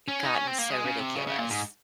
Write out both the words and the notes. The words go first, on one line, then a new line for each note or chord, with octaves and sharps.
I gotten so ridiculous.
C#4
D#4
C#4
C4
A#3
G#3
C#3
C3
C#3
C#3
A#2
G#2